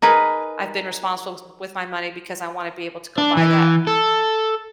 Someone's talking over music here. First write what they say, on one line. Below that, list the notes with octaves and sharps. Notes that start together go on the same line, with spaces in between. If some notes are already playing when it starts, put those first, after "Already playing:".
I've been responsible with with my money because I wanna be able to go buy that,
D#4 G#4 A#4 B4
D4
E3
A4